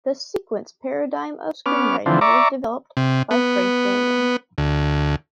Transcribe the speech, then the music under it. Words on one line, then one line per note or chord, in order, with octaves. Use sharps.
The sequence paradigm of screenwriting was developed by Frank Daniel.
B3 C#4 D6 F6
D3 E3 F3 C4
D5 E5 A#5 C#6 D6
C3
B3
D2